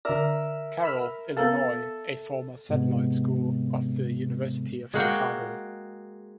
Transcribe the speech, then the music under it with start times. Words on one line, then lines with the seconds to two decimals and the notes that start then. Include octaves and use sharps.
Carroll, Illinois, a former satellite school of the University of Chicago.
0.05 D3 A#4 D5 E5
0.83 B5 E6 F6
1.37 B3 A4 A#4 F5
2.69 G#2 C3 G#3 B3
4.94 G#3 A#3 F#4 G5